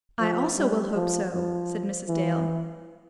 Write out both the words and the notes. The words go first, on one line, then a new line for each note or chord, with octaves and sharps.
"I also will hope so," said Mrs. Dale.
F3
G3
F3
F3
E3